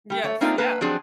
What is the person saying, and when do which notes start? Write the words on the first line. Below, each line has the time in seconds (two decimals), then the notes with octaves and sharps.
Yes, yeah,
0.10 G3 G4
0.24 A3 C#5
0.41 A3 A#3 C4 D4 D#4 F4
0.58 A#3 B4 A5
0.81 F3 F#3 C4 D4 G4 G#4